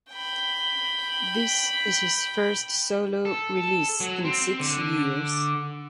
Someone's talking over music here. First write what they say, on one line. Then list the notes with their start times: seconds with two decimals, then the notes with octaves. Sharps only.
This is his first solo release in six years.
0.12 G5 B5
3.25 A4
4.00 F#3
4.24 C4
4.60 D3